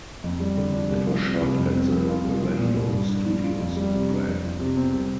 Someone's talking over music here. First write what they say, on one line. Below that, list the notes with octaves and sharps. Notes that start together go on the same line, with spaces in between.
It was shot at the Barrandov Studios in Prague.
F2
G3
D3
D4
C2
F3
C3
C2
F2
C4
F3
F4
C2
F3
A#2
C2
G2
D4
F3
F4
F2
G3
C3
D4
F2
F3
C3
C4
C2